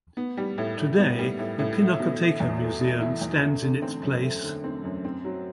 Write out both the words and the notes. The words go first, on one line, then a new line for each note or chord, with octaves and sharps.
Today the Pinacoteca Museum stands in its place.
B3
G3
A2
A2
B3
G3
A2
A2
A3
B2
E4
E2
A3
B2
E4
E2
A3
D3
C4
F#2
A3
D3
C4
F#2
C4
F#3